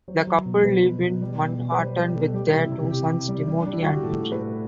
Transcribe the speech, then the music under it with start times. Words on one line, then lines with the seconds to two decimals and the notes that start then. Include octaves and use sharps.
The couple live in Manhattan with their two sons, Timothy and Henry.
0.08 F#3 C5
0.27 F#3
0.46 B2
0.64 B2 B4
0.84 B2
1.02 B2
1.21 G3
1.40 B2
1.58 B2
1.72 B4
1.77 G3 C5
1.96 G3 B4
2.14 B2 A4
2.33 G3 G4
2.48 E4
2.53 C3
2.62 E4
2.72 C3 G4
2.90 C3 G4
3.09 C3
3.28 G3
3.47 G3
3.62 G3 D4
3.72 E4
3.83 G3 F#4
3.93 G4
4.03 A2 A4
4.23 A2
4.32 B4
4.41 A2